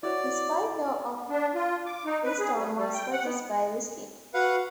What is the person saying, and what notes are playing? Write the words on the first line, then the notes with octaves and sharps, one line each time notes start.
His "White Doe of Rylstone" was purchased by Ruskin.
E4 F#4 C#5 D5
D4
F4
D6
D#4
B4
G#4
G3
G3
G5
F#5
B3
F#4 B4 F5 F#5